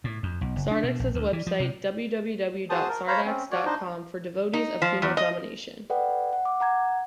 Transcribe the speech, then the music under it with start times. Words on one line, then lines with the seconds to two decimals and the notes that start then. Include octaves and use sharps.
Sardax has a website, www dot sardax dot com, for devotees of female domination.
0.04 A2
0.23 F2
0.41 B1
0.56 F#1
0.71 D4
0.83 B2
0.99 A#1
1.14 D2
1.33 E3
1.47 F3
1.60 C3
2.70 F#4 G#4 C5 A5 D#6
2.88 A#4
3.07 C5 C#5 F5 A#5 B5
3.26 C4 C#4
3.51 F#4 C#5 D5
3.66 D4 D#4 C5 D#5
4.53 D#4
4.82 F3
5.02 E2
5.17 D#5
5.90 A4 B4 D5 F#5 G5
6.33 F#5
6.45 D6
6.60 F#5 A#5 G#6